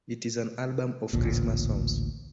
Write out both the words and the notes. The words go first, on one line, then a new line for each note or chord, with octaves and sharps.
It is an album of Christmas songs.
A1 D2 A#2